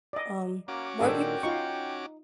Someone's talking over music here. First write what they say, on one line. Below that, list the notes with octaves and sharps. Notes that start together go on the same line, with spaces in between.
um, more peop
D5 D#5
A#3 C#4 F#4 D6
A#2 D#3 D4 G#4 A4 E5 G5
D#4 F4 C#6